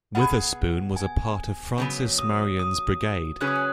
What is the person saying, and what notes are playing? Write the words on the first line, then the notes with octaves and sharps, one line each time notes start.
Witherspoon was a part of Francis Marion's brigade.
B2 B3 G#4 F#5
G#5
C#3 F#3 B3
D#6
D#6
C#3 F#3 C#4 G#4 B4 F#6
D#6
F#6